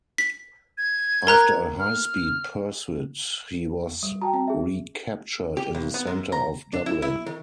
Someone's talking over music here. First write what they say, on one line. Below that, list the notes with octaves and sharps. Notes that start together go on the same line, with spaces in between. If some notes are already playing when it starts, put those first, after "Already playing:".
After a high-speed pursuit, he was recaptured in the centre of Dublin.
B6
G#6
A#4 A#5 F#6
F6
G3
F#4 G5 A5 A#5
C4
G#4 E5
G4
B1
B3
F#2
A#5
D4
E4
E4
D#3